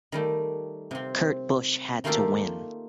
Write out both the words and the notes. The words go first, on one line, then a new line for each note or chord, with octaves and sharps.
Kurt Busch had to win.
D#3 G3 A3
C3 C4
D#3 A3 A#3 F4 G4 A4